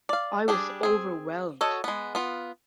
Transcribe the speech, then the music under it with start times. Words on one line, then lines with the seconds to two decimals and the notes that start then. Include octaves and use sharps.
I was overwhelmed.
0.09 D5 F5
0.48 G3 D4 G#4
0.83 C4 G#4
1.61 F#4 A4 C#5 D#5
1.84 G#3 B3
2.15 B3 F4